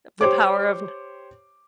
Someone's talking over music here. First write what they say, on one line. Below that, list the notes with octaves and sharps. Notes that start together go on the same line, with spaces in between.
The Power of N
G4 C5 C#5 D6